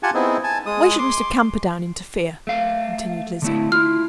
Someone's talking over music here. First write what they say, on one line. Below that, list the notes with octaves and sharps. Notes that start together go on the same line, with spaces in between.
"Why should Mr. Camperdown interfere?" continued Lizzie.
F4 G4 F#5 G#5 A5
B3 C4 D#4 E4 G#4
G#5 A5
G#3 D#6
C6 D6
A3 F5
D3 A3 E4
E4 F4 F6